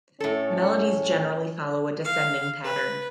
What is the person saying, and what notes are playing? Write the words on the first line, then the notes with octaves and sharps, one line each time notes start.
Melodies generally follow a descending pattern.
A2 C#4 A4
F5
B4